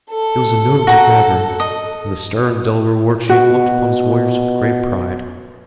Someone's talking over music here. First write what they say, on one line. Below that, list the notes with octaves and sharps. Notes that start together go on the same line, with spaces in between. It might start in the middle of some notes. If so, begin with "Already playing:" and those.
It was a notable gathering, and the stern Delaware war-chief looked upon his warriors with great pride.
A4
F#4 A#5
D#5
B2 F#4